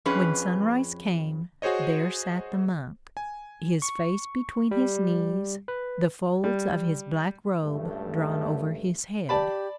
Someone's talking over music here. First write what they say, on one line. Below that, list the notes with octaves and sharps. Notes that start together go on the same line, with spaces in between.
When sunrise came, there sat the monk, his face between his knees, the folds of his black robe drawn over his head.
F2 C#4 G#4 B4
F#4 G#4 C5 C#5 D#5
G#5
C#6
G3
B4
G3
C#2 G2 A3
G4 D5 A5 B5